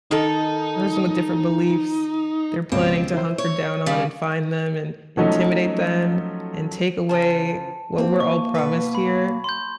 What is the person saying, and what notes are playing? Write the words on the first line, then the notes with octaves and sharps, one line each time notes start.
person with different beliefs, they're planning to hunker down on and find them, and intimidate them, and take away what we're all promised here
D#3 D#4 A4
C#2 B2 C4 C#4
E4 C5
C#5
C#3 G3
F3 F#3 A3 C#4 D#4
C#3 F3 A5
A#3 C4
C#6
B2 B4
B5
C6 G6